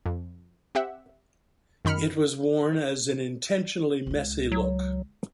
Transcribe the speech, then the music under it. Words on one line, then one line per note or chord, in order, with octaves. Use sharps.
It was worn as an "intentionally messy" look.
F2
C4 G4 E5 F#5
F#2 D#3 B5 F6 C#7
C#2 G#3
F#3